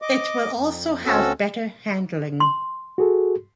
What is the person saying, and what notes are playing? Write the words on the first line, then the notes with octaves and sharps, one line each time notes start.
It will also have better handling.
D#5 D6
F2
D2 C4 C#4 F#4 A4 E6
C6
F#4 G#4 A4